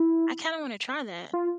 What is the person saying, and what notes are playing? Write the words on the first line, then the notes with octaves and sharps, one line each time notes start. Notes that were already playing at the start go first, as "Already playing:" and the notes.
I kinda wanna try that.
Already playing: E4
F4